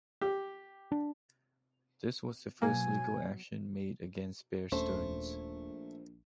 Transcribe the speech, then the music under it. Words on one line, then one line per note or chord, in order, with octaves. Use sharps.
This was the first legal action made against Bear Stearns.
G4
D4
B2 F#3 A#3 G#5
D#1 A#1 A3 C#4 C5